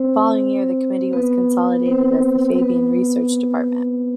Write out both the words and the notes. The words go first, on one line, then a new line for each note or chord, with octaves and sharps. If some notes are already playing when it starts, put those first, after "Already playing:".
The following year the committee was consolidated as the Fabian Research Department.
Already playing: C4 C5
B3 B4
C4 C5
B3 B4